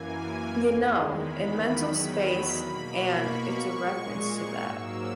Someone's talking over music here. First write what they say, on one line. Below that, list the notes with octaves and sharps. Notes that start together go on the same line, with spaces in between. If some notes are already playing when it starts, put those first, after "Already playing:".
You know, in mental space and it's a reference to that.
Already playing: F#2 E3 A#3 G#5
G#5
E2 D#3 G#3
B5
E2 D#3 F#3 B5
B2 A#3
C#6
A#2 G#3
G#2 F#3 A#3 E6